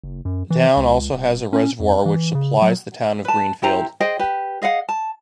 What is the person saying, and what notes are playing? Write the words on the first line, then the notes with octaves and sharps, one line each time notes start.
The town also has a reservoir which supplies the town of Greenfield.
F#1
F#2
E3
C#2
D#1
C#4
F2
E3
C#3
F#3
B4 A5
E4 G4 C5 A#5
G#4 C5 D#5 G5
G4 B4
G#4 D#5 F5 F#5
A5